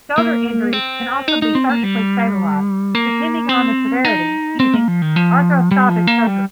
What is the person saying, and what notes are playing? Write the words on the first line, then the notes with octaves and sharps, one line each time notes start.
Shoulder injuries can also be surgically stabilized, depending on the severity, using arthroscopic surgery.
A#3
C4
D#4
D#4
C4
A#3
G3
A#3
C4
D#4
C4
A#3
F3
D#3
F3
G3
F3
A#3
G3